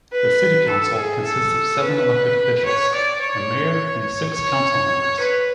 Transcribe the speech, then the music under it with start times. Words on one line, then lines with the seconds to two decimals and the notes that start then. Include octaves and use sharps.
The City Council consists of seven elected officials-a mayor and six council members.
0.12 B4
0.68 A4
0.96 G#4
1.25 A4
1.81 B4
2.65 C#5
2.94 D5
3.22 C#5
4.35 C#5
5.20 B4